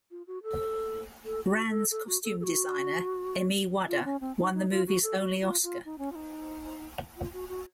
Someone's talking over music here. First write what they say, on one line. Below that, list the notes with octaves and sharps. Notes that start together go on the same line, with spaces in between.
"Ran"s costume designer, Emi Wada, won the movie's only Oscar.
F4
F#4
A4
A4
F#4
A4
A4
F#4
A4
A4
F#4
F4
C#4
C4
D#4
D#4
F4
F#4
A4
F#4
F4
F4
D#4
C#4
F4
D#4
F4
F#4
F#4